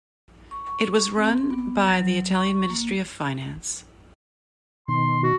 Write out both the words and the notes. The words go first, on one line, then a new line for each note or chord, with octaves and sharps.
It was run by the Italian Ministry of Finance.
C#6
C4
B3
F#3
C#6
A#3
B2 D#3 C6
F#4